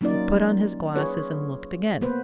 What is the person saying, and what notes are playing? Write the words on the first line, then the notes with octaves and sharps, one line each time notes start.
He put on his glasses and looked again.
F#3 A#3 C#4 D#4 F4 D5
F4 G#4 B4 C#5
A#3 B3 B4 C5